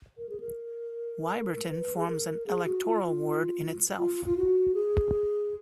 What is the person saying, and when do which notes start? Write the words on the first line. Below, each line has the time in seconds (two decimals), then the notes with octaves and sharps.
Wyberton forms an electoral ward in itself.
0.18 A#4
0.29 G#4
0.40 A#4
1.69 B4
1.96 G#4
2.08 A#4
2.46 G#4
2.65 F#4
2.84 F4
3.04 F4
3.98 F4
4.25 F4
4.37 F#4
4.74 G#4